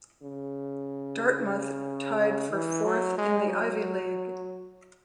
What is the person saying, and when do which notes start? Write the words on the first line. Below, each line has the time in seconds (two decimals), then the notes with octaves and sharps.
Dartmouth tied for fourth in the Ivy League.
0.22 C#3
2.19 C#3
2.52 E3
2.84 F#3
3.18 G#3
3.50 F#3